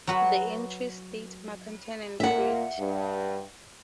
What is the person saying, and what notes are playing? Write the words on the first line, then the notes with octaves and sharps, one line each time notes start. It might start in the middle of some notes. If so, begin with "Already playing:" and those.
The entry states Makaton, n. Brit.
F#3 F#4 B4
A#2 A#3 E5 F#5
G2